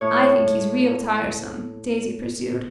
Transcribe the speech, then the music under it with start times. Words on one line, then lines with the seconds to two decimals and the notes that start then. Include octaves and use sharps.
"I think he's real tiresome," Daisy pursued.
0.01 A2 C#5